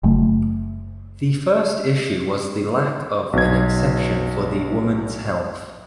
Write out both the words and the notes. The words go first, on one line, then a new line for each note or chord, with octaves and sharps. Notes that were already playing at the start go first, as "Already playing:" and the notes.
The first issue was the lack of an exception for the woman's health.
F#1 A3
B1 B2 G#6